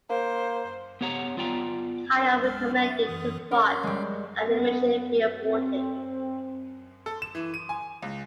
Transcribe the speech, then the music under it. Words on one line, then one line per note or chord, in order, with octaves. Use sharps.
Kyle recommended to Vaught that the mission be aborted.
A#3 C5
B3 G4 C#5 F#5 A#5
B3 F4 D5 G5 A#5
B1 G#3 F6
E5
F#2 E3 D#6
C#4 A#4 C#5
G3 G#3
B3
C4
A4
E7
E3
D#7
G#5
C#2